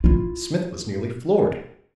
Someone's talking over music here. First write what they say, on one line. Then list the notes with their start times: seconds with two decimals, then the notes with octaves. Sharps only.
Smith was nearly floored.
0.04 E4 F4